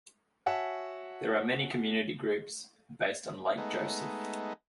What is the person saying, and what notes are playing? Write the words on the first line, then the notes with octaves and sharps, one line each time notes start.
There are many community groups based on Lake Joseph.
F#4 C#5 E5 F#5 G#5 A5
G#3 A3 B3 D#4